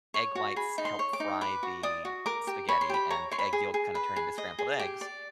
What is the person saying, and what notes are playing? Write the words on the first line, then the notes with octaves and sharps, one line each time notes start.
egg whites help fry the spaghetti and the egg yolk kinda turn into scrambled eggs.
C#5
F#4
G#4 B5
D#4
C6
C#5
D6
D#4
B4 D6
F#4
D5 D#6
F#4
A#4 D6
G4
C#5 B5
C6
G4 B5
C#5 A#5
C#5 C6
B5
G#4
G#4
B4
G#4
D#5
G#4
G4
D5